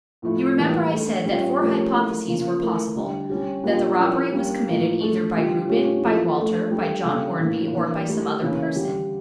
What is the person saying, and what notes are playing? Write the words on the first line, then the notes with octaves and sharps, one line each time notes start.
You remember I said that four hypotheses were possible: that the robbery was committed either by Reuben, by Walter, by John Hornby, or by some other person.
A2 F3 A3 E4
A2 E3 G3 A#3
A3 D4 A4
A#2 G3 C#4
F3 A3 C#4 G4 A#4
A3 E4 A#4
C#3 F3 A#3
A3 E4 A#4
D3 G3 D4
G3 C#4 G4
A#2 G3 A#3 D4 G4
F3 C#4 E4 A#4
G3 A#3 D4
A2 F3 A#3
A3 D4 A4
D3 G3 D4 F4
A#2 A3 C#4 G4
F3 A#3 E4 A4
F3 A3 D4 F4 A4
G3 D4 A4
C#3 G3 D4 A4
A2 E3 A#3 D4
E3 A#3 D4
A3 E4 G4 A#4
C#3 E3 A#3 C#4 E4
D3 G3 D4 G4